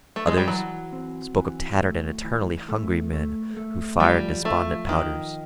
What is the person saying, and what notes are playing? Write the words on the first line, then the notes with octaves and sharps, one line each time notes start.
Others spoke of tattered and eternally hungry men who fired despondent powders.
A3
G#3
G3
E3 F#3
C4
E3
A3
E3
A3
A3
A3
F3 G3
F3 A3
D#3 F3